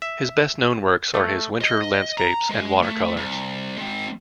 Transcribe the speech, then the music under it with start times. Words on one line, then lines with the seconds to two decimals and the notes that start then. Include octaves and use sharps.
His best-known works are his winter landscapes and watercolours.
0.02 E5
1.14 A3
1.61 D#5
2.18 A#5
2.49 G#3
2.82 A3
3.17 C2
3.78 G#3 C4